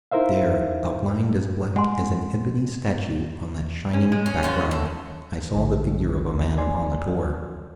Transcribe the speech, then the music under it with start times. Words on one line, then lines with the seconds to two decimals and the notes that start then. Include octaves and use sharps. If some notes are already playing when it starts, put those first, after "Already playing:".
There, outlined as black as an ebony statue on that shining background, I saw the figure of a man upon the tor.
0.11 D#4 E4 A#4 C5 E5 F5
1.76 G#3 F#5 G#5 C6
3.93 C#4
4.12 G#3
4.26 C#4
4.43 F#2 C#4 F4 F#4
4.71 A3
5.52 A#1 D3 D#3
6.58 D5 G#5 C6